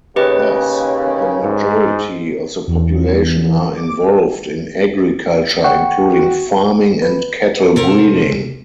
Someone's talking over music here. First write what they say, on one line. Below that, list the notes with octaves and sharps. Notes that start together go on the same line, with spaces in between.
Thus, the majority of the population are involved in agriculture, including farming and cattle-breeding.
D#2 C#3 G4 B4 D#5
G#2
E2
D6
F#5 G5 C#6
F#4
B4
C3 A4 A#4 C5